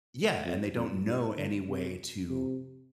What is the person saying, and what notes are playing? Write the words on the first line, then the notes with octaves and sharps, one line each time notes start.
Yeah, and they don't know any way to
F2
F2
G2
D3
C3
C3